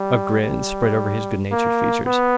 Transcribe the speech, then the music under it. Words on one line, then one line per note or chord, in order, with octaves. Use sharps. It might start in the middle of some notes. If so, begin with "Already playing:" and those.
A grin spread over his good-natured features.
Already playing: G3
G3
A#3
B3